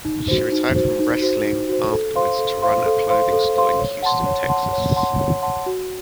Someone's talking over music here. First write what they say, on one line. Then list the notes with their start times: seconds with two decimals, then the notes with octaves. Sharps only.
She retired from wrestling afterwards to run a clothing store in Houston, Texas.
0.05 D#4
0.28 F#4 C5
0.52 D#4
0.76 F#4 C5
0.99 D#4
1.22 F#4 C5
1.46 D#4
1.69 F#4 C5
1.93 A4
2.16 C5 F5 C6
2.39 A4
2.62 C5 F5 C6
2.86 A4
3.10 C5 F5 C6
3.32 A4
3.56 C5 F5 C6
3.79 C#5
4.03 F#5 A5 C6
4.26 C#5
4.49 F#5 A5 C6
4.73 C#5
4.96 F#5 A5 C6
5.19 C#5
5.42 F#5 A5 C6
5.66 F#4